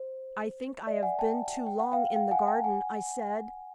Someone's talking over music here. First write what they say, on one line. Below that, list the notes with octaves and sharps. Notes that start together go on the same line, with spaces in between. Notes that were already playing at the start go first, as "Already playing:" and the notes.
"I think I have been too long in the garden," I said.
Already playing: C5
D5 E5
F#5 G#5
G5 A5
G5
F#5
F5 G5
F5 G5
F#5 G#5
G5 A5
F#5 G#5